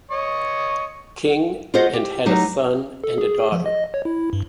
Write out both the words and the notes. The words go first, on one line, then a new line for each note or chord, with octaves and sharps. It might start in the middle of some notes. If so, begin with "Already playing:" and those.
King and had a son and a daughter.
C#5 D#5 C#6
F4 F#4 G#4 C5 D#5 F#5
G4
F#3 D#4 G4
A4
G#4
F3
D#5
C#5
E4
G2